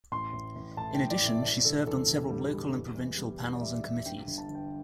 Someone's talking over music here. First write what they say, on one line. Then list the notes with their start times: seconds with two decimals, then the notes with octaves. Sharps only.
In addition, she served on several local and provincial panels and committees.
0.12 A1 C6
0.33 A1
0.56 A1
0.77 A2 A5
0.94 G5
0.99 A1
1.10 D5
1.21 A2
1.27 E5
1.42 E1 D5
1.65 D3 A4
1.86 E2 A4
2.08 D3
2.30 G3
2.53 G3
2.74 E2
2.95 E2
3.17 G3
3.40 E2
3.56 D5
3.61 G3 E5
3.84 G3 E5
4.06 G2 G5
4.27 G1
4.38 A5
4.48 D3
4.55 G5